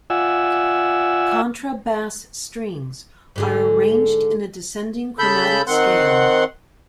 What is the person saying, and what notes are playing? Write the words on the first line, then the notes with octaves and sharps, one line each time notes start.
Contrabass strings are arranged in a descending chromatic scale.
F4 D5 E5 F#5 G#5 E6
G#2 D3 G#4
C#3 A4 B5 G6
D#3 C4 F#5 C6